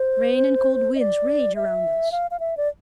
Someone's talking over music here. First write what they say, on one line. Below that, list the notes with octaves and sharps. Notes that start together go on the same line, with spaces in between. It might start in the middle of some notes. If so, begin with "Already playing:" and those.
Rain and cold winds rage around us.
Already playing: C5
D#5
D5
E5
F5
F5
E5
D5